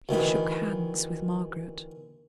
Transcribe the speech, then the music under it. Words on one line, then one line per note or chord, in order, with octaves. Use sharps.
He shook hands with Margaret.
D2 D#3 E3 B5